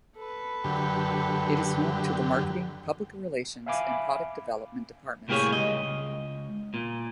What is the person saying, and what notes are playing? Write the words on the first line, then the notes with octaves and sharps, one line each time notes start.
It is home to the marketing, public relations and product development departments.
A4 B4
F#2 D3 G4
E5 F5 G#5 B5 D6
C2 A2 A#3 G4 G#4 C#5
C#2 D#5
A#2